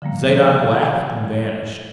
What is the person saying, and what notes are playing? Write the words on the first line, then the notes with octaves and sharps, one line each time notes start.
Zadok laughed and vanished.
D3 F3 G3 A#3